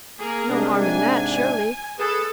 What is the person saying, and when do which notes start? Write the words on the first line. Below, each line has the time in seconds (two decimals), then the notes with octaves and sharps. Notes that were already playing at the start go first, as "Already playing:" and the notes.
"No harm in that, surely."
0.18 A#3 G#4 A#4
0.49 G#2 C3 D4
0.81 G#5
1.99 G#4 A4 B4